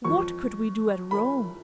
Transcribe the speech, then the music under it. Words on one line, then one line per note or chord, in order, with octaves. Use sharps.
What could we do at Rome?
F2 F3 C#6
B5